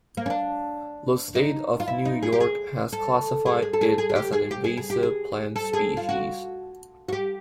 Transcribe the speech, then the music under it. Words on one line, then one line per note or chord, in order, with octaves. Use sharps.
The State of New York has classified it as an invasive plant species.
A#3
C#4
D4
D#4
F4
E4
D#4
G#4
G4
G#4
A4
G#4
G#4
A4
G#4
G#4
G#4
G4
G#4
G4
G#4
G#4
G4
G#4
A4
G#4
F4
F#4
F#4
G4